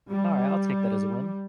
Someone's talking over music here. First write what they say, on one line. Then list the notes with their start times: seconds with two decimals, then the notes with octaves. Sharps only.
Alright. I'll take that as a win.
0.12 G3